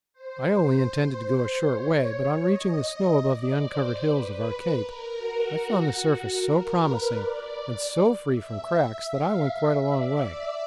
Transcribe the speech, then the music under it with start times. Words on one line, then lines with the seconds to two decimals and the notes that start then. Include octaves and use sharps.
I only intended to go a short way, but on reaching the snow above the uncovered hills of our Cape I found the surface so promising and so free from cracks that I went quite a long way.
0.13 C5
1.68 C#5
2.46 D#5
3.24 D5
3.63 C5
4.01 B4
4.78 A#4
5.18 F#4
5.95 F#4
6.34 A#4
6.73 B4
7.11 D5
8.28 E5
8.67 E5
9.06 F5
9.44 E5
9.83 D5